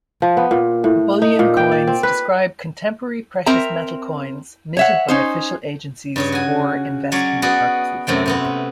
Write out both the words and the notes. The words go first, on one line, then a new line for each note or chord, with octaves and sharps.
Bullion coins describe contemporary precious metal coins minted by official agencies for investment purposes.
F3
B3
A#2
A2
D#4
A#2
G5
D5
C4
B4
C4 A#4 E5 A#5
C#5 E5 F#5
C#4 D#4 C5
G2 C#3 C#5
F#4 G#5
F#3 C#4 C#5 D5
B3 F#4 G#4 D5
F#2 C3 A3 G5
C3 B3 C4